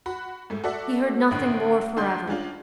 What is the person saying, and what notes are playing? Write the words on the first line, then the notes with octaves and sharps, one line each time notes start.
He heard nothing more forever.
F#4 F#5 B5
G#2 A3
F#4 A4 D5 E5 F#5
A1 D2 D3
D2 D4 C6 G6
G#3 C#4 D4 F4